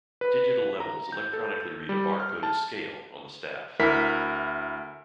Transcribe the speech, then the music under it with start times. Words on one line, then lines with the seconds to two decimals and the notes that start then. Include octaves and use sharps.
Digital levels electronically read a bar-coded scale on the staff.
0.21 B4
0.80 A#5
1.12 G6
1.33 A4
1.89 G3
2.20 F6
2.43 A5
3.79 D2 E4 A#4 B6